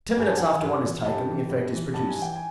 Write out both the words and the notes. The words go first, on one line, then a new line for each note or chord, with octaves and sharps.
Ten minutes after one is taken, the effect is produced.
G2 G#5
A5
E3 F#5 G#5
G2
E3
G2 G5 A5
E3
G2
E3
G2 A5
G#5
E3
G5
G#5